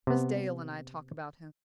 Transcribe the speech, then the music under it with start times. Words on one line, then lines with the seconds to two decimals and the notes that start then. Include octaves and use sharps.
Miss Dale and I talk about him.
0.07 C3 B3